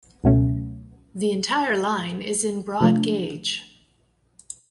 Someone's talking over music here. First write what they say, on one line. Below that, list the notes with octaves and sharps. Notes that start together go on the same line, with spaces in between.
The Entire line is in broad gauge.
C#2 B2 F#3 A3 C#4
C3 F3 A3 D4